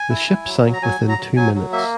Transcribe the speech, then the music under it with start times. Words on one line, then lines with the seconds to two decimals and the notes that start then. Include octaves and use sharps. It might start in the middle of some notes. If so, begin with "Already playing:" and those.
The ship sank within two minutes.
Already playing: G#5
0.10 E4
0.27 E4
0.46 F#3
0.64 F#3
0.73 A#5
0.82 F#3 G#5
1.00 F#3
1.09 A#5
1.18 F#3
1.36 F#3 G#5
1.54 F#3
1.72 A#3 E5